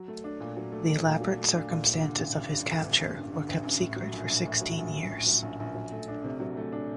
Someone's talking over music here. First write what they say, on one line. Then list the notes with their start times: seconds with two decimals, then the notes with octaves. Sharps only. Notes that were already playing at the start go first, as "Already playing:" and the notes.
The elaborate circumstances of his capture were kept secret for sixteen years.
Already playing: F#3
0.08 A3
0.24 D4
0.40 A#2
0.57 F#3
0.72 A3
0.88 D4
1.05 A#2
1.21 F#3
1.37 A3
1.53 D4
1.70 A#2
1.85 G2
2.02 D3
2.18 A1
2.35 A1
2.50 G2
2.67 D3
2.84 A1
3.00 A1
3.16 G2
3.32 D3
3.49 A1
3.65 A1
3.81 A2
3.96 F#3
4.13 A#1
4.29 A#1
4.45 A2
4.61 F#3
4.78 A#1
4.95 A#1
5.10 A2
5.26 F#3
5.42 A#1
5.60 A#1
5.75 F#3
5.92 A3
6.08 D4
6.24 C3
6.40 F#3
6.57 A3
6.72 D4